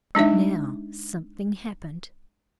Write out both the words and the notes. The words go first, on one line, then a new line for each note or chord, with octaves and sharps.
But now something happened.
G#3 D4 D#4 E5